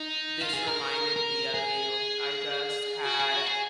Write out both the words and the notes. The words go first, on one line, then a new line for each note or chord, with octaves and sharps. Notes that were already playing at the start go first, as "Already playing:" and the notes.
this reminded me of you." I just had
Already playing: D#4
F4
G#4
A#4
A#4
G#4
F#4
G#4
F#4
G#4